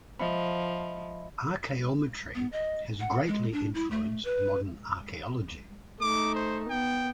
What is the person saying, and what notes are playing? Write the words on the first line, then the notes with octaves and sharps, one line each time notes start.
Archaeometry has greatly influenced modern archaeology.
F3 D#5 E5 B5
B3
D#5
F#5
G#3
D4
E4
A3
B4
A3 D#4 D6
C5
B3 G5